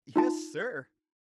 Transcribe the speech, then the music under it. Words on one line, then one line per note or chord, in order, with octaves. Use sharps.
"Yes, sir."
D#4 F4 A5